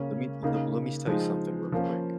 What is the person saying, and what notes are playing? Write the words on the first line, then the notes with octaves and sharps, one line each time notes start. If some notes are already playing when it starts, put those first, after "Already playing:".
Let me le let me s tell you something real quick,
Already playing: C#3 A#3 C#4
C#3 A#3 D#4
F3 G#3 D#4
F3 A#3 C#4